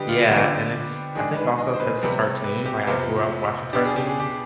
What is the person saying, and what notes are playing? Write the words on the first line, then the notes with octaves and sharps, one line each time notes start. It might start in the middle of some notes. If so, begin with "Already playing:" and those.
Yeah, and it's I think also 'cause it's a cartoon, like, I grew up watching cartoons,
Already playing: D3 G3 D4 G4 B4 D#5
F4
D3 F3 B3 D4 G4
D#3 G#3 D4 G#4
B4
D#5
C5
B4
C3 G3 B3
B4
G4
F2 C3 F3 B3 F4
B2 B3 D4 G4
G#4
G4
G#4
G4